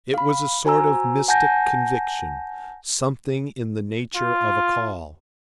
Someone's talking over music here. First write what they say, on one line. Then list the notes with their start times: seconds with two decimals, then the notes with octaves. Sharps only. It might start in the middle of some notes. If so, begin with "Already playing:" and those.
It was a sort of mystic conviction--something in the nature of a call.
0.14 F5 B5
0.65 F#4 C5 G#5 A#5 E6
1.28 F#5 G#5 A5 G6 A#6
4.15 F4